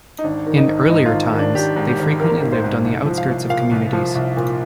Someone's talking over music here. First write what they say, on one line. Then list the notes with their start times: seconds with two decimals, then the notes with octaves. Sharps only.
In earlier times, they frequently lived on the outskirts of communities.
0.18 D#4
0.24 G#1 D4
0.46 D#3
0.57 D#4
0.68 G#1
0.89 G#2 D#4
1.06 F4
1.11 G#1
1.33 D#3
1.39 D4
1.55 G#1 G4
1.76 G#2
1.87 G4
1.99 G#1
2.20 D#3 A#4
2.42 G#1
2.52 C5
2.64 G#2
2.84 C2
3.06 F3
3.18 F5
3.28 C2
3.49 A#2 F5
3.71 C2
3.93 F3
4.15 C2
4.37 A#2